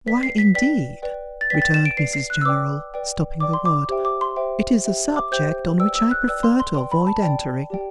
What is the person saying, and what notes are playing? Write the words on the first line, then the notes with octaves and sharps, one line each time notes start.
'Why, indeed,' returned Mrs General, stopping the word, 'it is a subject on which I prefer to avoid entering.
B4 D5 G5 B6
C7
B6
B4 D5 G5 B6
B4 D5 G5
A6
B4 D5 G5 B6
A6
E7
D7
B4 D5 G5 C7
C7
F#6
E6
B4 D5 G5 D6
B4 D5 G5
B4 D5 G5 D6
C6
D6
G4 C5 E5 G5
D6
C6
G4 C5 E5 G5
G4 C5 E5 G5
D6
G4 C5 E5 G5 G6
B4 D5 G5 E6
E6
F#6
B4 D5 G5 E6
C6
C6
B4 D5 G5 C6
B5
A5
B4 D5 G5
G4 D5 G5